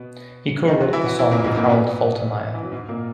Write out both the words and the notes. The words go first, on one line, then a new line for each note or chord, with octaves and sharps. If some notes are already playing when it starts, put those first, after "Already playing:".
He co-wrote the song with Harold Faltermeyer.
Already playing: B2 B3
D#3 D#4
F#3 F#4
E3 E4
F#3 F#4
E3 E4
A#2 A#3
G#2 G#3
A#2 A#3
B2 B3
E3
F#3
G#2 G#3
A#2 A#3